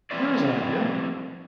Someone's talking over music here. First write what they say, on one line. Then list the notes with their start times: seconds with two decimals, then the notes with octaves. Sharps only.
Here is an idea!
0.11 F3 G3 C4 E4 B4 D5